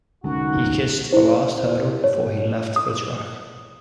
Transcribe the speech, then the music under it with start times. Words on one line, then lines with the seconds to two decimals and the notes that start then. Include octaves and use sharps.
He kissed the last hurdle before he left the track.
0.24 C2 F#2 D3 G#3 D#4 F#4
1.13 E4 C5
2.04 C#5
2.76 D#6